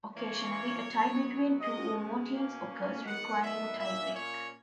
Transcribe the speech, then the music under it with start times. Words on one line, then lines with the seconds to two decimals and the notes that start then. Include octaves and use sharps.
Occasionally, a tie between two or more teams occurs, requiring a tie-break.
0.15 E3 A#3 C#4 C#5
0.88 D#3 F#3 B3
1.60 B2 G#3 C#4 D#5
2.33 B2 A#3 C#4
3.05 D#3 F#3 B3 F#5
3.42 E5
3.77 A#2 A#3 C#4 E5
4.14 C#5